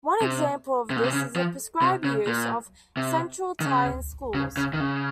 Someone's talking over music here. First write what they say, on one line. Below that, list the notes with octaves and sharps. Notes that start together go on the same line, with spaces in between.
One example of this is the prescribed use of Central Thai in schools.
C3
C3
A#2
C3
C#3
F3
C3
C#3
A#2
C3
D#3
C#3
C#3
C#3
D#3
C#3